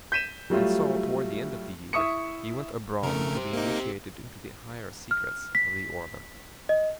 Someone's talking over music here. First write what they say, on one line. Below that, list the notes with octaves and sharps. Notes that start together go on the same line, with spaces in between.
And so toward the end of the year he went abroad to be initiated into the higher secrets of the order.
G6 B6 D#7 E7
F#3 G3 A3 F4
E4 E5 C#6 D#6 C#7
F2 C#3 A3 A#4
G4 C5
A#3 D#4
F6
B6
D#5